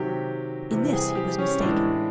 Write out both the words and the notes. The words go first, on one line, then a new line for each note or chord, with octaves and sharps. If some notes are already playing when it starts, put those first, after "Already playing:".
In this he was mistaken.
Already playing: C3 D#3 F#3 G4
C3 E3 G3
G#4
G4
C#4
A2 E3 G#3 D4